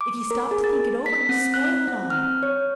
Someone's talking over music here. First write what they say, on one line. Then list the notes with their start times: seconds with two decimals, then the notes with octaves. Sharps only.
If you stop to think it over you spoil it all.
0.01 D6
0.31 A#4
0.51 G#4
0.64 A6
1.06 B6
1.29 C4
1.54 F#6
1.87 C4
2.10 F6
2.43 C#5